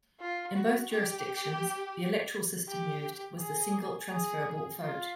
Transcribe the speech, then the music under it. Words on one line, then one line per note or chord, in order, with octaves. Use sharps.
In both jurisdictions the electoral system used was the Single transferable vote.
F4
F#4
G4
G4
G#4
G#4
F4